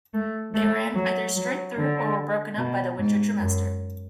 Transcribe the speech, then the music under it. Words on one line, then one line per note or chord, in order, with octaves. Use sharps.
They ran either straight through or were broken up by the winter trimester.
A3
A3
F#3
F#3
D3
B2
G#2
F#2